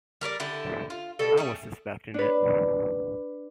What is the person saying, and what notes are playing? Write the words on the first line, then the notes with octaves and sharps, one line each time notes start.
I was suspecting it!
G3 A#4 C#5 D5
D3 E4 G4
F4
B2 G3 A4
G3 A3 C#4 G#4
D4 B4